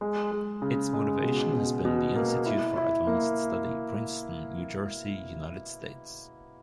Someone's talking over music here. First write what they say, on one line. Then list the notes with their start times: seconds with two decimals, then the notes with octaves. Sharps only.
Its motivation has been the Institute for Advanced Study, Princeton, New Jersey, United States.
0.01 G#3
0.31 G#3
0.62 C#3
0.93 G#3
1.23 B2
1.53 B2
1.85 B2
2.16 A#3
2.46 E4
2.76 E4
3.07 A#3